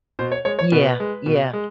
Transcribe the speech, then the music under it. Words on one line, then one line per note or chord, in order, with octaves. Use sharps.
Yeah, yeah.
B2 C5
C#5
G#3 C#5
C#5
B2 B4
G#3
B2
G#3